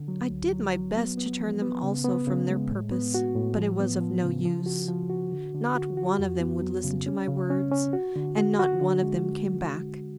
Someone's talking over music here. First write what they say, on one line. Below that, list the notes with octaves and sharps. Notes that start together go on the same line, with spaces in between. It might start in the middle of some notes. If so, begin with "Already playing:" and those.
I did my best to turn them also from their purpose, but it was of no use. Not one of them would listen to my words, and not one of them came back.
Already playing: D3
F#3
C#2
F#3
F#3
B3
B3
F3
B3
C#3
B3
C#3
G#3
A2
B3
F#4
A2
F3
B3
F3
C#3
F3
F#4
F3
F#4
D3
D3
F#4
F#4
F2
B3
F#3
C#3
C#4
C#3
C#4
C#4
F#4
D3
F#4
F#4
D3
G#3